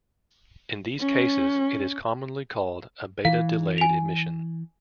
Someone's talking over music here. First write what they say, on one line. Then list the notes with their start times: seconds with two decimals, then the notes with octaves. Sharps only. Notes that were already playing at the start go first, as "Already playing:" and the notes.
In these cases it is commonly called a "beta-delayed" emission.
1.00 C#4
3.25 E3 F5
3.78 G#5 F7